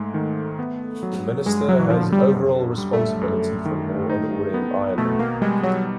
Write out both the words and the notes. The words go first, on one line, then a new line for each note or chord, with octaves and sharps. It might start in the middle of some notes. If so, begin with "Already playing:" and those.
The Minister has overall responsibility for law and order in Ireland.
Already playing: G#2 G#3 A3
D#3
B3
F#3
G2 G#3
F#3
E3
D3 F3
G3
F#2
G3
A3
F#2
D#3
D#4
B3
B2 A3
A#3
G3 G#3
F#3